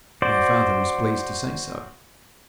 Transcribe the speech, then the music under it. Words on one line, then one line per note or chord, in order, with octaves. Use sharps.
'My father is pleased to say so.'
F#4 C5 D5